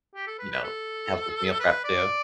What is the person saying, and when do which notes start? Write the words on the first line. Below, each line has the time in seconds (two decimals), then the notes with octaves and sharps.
you know, helps with meal prep, too.
0.15 G4
0.27 A4
0.39 B4
0.51 B4
0.63 A4
1.60 B4
1.84 D5